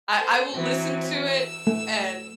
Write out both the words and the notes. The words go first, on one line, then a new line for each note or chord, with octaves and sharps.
I I will listen to it and,
A4 C5
E3 F#3 C4
E6
A3